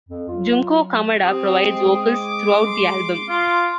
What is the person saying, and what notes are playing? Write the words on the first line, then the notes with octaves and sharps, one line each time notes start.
Junko Kamada provides vocals throughout the album.
F2
F#3 F4
C4 G4 D#6
G#3
D6
C6
F4